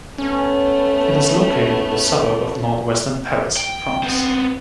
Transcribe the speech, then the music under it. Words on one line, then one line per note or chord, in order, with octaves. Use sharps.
It is located in the suburb of northwestern Paris, France.
A3 B3 C#4
G5
B3 C4